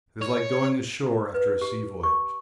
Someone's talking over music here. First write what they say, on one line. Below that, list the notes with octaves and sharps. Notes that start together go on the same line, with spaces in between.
It is like going ashore after a sea voyage.
C#5
A#5
B4
G4
C#6